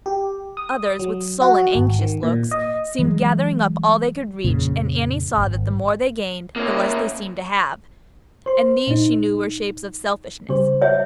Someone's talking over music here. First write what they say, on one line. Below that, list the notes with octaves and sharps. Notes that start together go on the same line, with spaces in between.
Others, with sullen, anxious looks, seemed gathering up all they could reach, and Annie saw that the more they gained, the less they seemed to have; and these she knew were shapes of Selfishness.
G4
D#6
F#3
F#4
G#1
D#3
A#2
D#5
E3 F#3 G#3
F2 A#2 C#3
G#1
A#3 C#4
C5 C6
A#2 D#4
C#3 G3 C5
C#5 E5